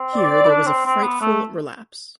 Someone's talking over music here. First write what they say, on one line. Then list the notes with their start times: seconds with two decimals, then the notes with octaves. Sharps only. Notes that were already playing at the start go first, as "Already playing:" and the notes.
Here there was a frightful relapse.
Already playing: C4
0.13 D5
0.45 E4
0.49 D4
0.67 C4
0.86 C4
1.03 B3
1.21 A3